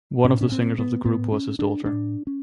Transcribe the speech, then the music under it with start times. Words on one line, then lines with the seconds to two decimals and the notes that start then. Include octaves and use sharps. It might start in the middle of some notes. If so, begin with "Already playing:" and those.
One of the singers of the group was his daughter.
0.24 A2 C#4
0.41 C#4
0.52 C4
0.79 B3
1.05 A2 B3
1.32 C#4
1.59 D4
1.86 A2 D4
2.27 C#4